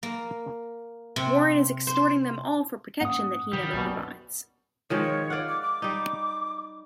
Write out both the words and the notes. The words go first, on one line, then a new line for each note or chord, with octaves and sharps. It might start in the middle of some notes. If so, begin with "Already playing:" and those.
Warren is extorting them all for protection that he never provides.
A#3
C3
C5
G#2 A#3 C#4 F#5 D#6
B2 D#3 F3 G3
B1 F#2 B2 A#3
D#3 F3 G#3 C#5
D5 F5 F#5
D6
D6
G3 D#4